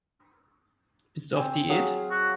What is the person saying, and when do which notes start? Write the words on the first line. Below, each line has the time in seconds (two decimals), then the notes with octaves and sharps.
Bist du auf Diät?
1.35 C4 G#5
1.69 F#3 G#4 F5
2.11 F#4